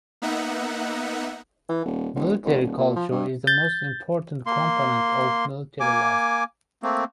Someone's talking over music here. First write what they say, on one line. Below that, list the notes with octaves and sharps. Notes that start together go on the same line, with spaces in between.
Military culture is the most important component of military life.
A#3 B3 D#4 E5 F#5
E3
D#1
E1
F1
D#1
A#2
F3
G2
G6 A6
A#3 C6
A#3 G#5 D6
A3 A#3 C4